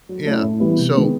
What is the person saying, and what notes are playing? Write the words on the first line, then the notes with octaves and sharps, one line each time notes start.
Yeah, so
F#3
A3 C#4 E4
A2
E3 G3 B3 E4
C3
D#3 G#3 B3